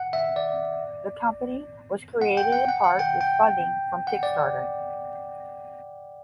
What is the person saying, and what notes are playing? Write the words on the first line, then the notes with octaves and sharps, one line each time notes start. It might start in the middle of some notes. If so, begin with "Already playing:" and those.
The company was created in part with funding from Kickstarter.
Already playing: F#5
E5
D5
F#5
G5
F#5
F#5
F#5
G5
G5
F#5
D5